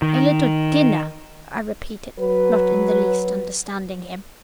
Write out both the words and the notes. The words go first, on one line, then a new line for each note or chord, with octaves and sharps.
"A little dinner?" I repeated, not in the least understanding him.
D#3
F#3 B4